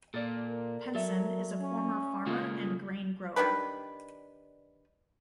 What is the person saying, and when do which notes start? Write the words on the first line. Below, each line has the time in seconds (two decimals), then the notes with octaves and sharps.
Penson is a former farmer and grain grower.
0.14 A#2 A#3 A4 D5
0.49 A#4
0.95 F#3 A4 A#4 E5
1.61 C#4
2.26 C#3 G#3 A#3 F4 A4 D#5
3.36 D#3 G3 D4 B4